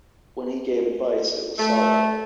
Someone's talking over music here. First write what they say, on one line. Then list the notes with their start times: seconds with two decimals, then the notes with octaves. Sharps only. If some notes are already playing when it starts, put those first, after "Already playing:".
When he gave advice, it was solid.
1.59 A3